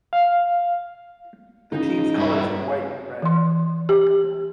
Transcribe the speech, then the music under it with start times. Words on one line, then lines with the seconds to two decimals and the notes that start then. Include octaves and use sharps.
The team's colors are white and red.
0.13 F5
1.72 A#2 C#3 E3 G#3 D#4
2.18 G2 E4 F#4 C#5 A#5
3.22 E3 C6
3.89 G4